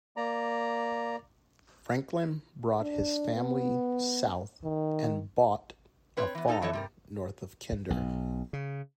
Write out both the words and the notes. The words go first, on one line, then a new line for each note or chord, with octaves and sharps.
Franklin brought his family south and bought a farm north of Kinder.
A#3 D5 A#5
D4
B3
D#3
C4 B4 C#5
E3 B3
B2 D#4 A4 C5 A#5
E2 E3 A4 C#5
C3 G3 A#4
B1
C#3